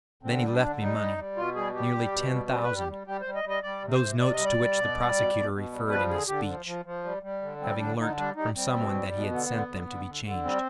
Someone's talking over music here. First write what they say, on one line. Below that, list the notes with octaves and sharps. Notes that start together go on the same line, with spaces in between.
Then he left me money, nearly ten thousand--those notes to which the prosecutor referred in his speech, having learnt from some one that he had sent them to be changed.
D3 C4
G3
D4
D3
G3 D#4
G3
G3
B2 F4
G3 G#4
G3 G4
G3
B2
G3
G3 C4
B4
G3
G4
G3
G3 G4
G3 C5
D#5
G3
D#5
G3 D5
C3
C5
C3
C3 D5
D#5
G3
D5
G3
B2
G3
B2
B2
B2
G3
F3 B4
D3 G#4
D3 G4
F3
F3
F3
G3
G3
D3
G3 C4
D3 D4
D3 D#4
G3 D4
G3 D#4
G3 C4
B2
G3
B2
D3 B3
D3
D3
D3
D3
D3
G3 C4